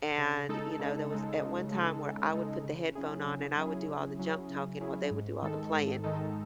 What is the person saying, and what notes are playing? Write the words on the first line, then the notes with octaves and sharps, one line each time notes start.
and, you know, there was at one time where I would put the headphone on and I would do all the junk-talking while they would do all the playing,
C#3
G#3 D#4 A4
C#3
G#3 D#4 A4
C#3
G#3 D#4 A4
C#3
G#3 D#4 A4
C#3
F#3 C#4 E4 G#4
C#3
F#3 C#4 E4 G#4
C#3
F#3 C#4 E4 G#4
C#3
F#3 C#4 E4 G#4
G#2
D#3 G#3 D#4 A4
G#2
D#3 G#3 D#4 A4